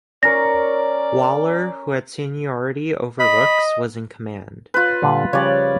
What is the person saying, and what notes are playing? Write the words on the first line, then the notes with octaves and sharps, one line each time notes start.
Waller, who had seniority over Rooks, was in command.
C#4 A#4 C#5 D5 A#6
D#5 B5
F4 B4
A#2 D3 G3
C#3 F3 G3 C#5 D5